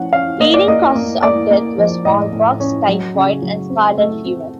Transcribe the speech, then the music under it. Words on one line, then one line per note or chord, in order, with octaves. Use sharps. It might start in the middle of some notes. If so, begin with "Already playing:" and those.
Leading causes of death were smallpox, typhoid, and scarlet fever.
Already playing: F3 C#4 F#5
C#4 F5
A#3 D#5
D5
A#3 D#5
A#3
A#3 D5
A#3
F3
A2 D#5
A2
C#4
F#3
C#3
F#3
C4
A3
C4